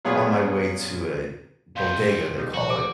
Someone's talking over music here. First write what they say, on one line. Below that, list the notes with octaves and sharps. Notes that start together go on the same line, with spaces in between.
on my way to a bodega, they call it.
A#2 F#3 B3 F4 G#4
F2 C3 F5 C6 G6
G3 B3 D#4
A#2 F3 F#4
G4 D6